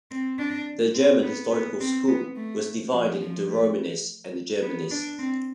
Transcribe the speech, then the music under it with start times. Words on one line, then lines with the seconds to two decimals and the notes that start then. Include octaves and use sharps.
The German Historical School was divided into Romanists and the Germanists.
0.11 C4
0.38 D4
0.95 C4
1.23 B3
1.51 B3
1.80 C4
2.08 B3
2.35 A3
2.92 F3
3.21 F3
3.49 A3
4.62 B3
4.90 D4
5.18 C4